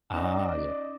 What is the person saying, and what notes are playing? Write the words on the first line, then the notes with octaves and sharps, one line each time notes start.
Ah, yeah.
C#4 D#4 D5 D#5